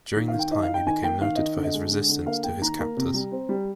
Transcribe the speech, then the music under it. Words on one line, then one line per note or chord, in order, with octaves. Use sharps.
During this time he became noted for his resistance to his captors.
D#3
F5
D#3
G5
D#4 D#5
F5
D#4
G5
D#3 G#5
A#3 G5
D#3 F5
D#3 D#5
D3
D#5
G#3
D3
D3
A#3 F5
A#3 G5
D#3 A#5
A#3
C3
G3
C4
G3